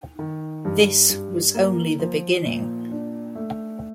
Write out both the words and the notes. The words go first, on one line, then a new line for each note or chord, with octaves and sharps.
This was only the beginning.
D#3
G2
G2
A#3
F3
A#2
D4
A3